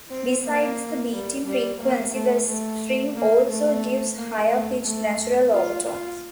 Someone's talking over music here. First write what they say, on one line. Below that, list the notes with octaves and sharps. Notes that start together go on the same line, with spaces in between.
Besides the beating frequency, the string also gives higher pitched natural overtones.
C4
A#3
G3
G3
A#3
A3
A3
A#3
A3
A#3
A3
A3
F4
F4